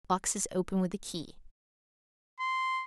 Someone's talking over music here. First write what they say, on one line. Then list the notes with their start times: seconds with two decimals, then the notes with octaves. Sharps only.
Boxes open with a key.
2.39 C6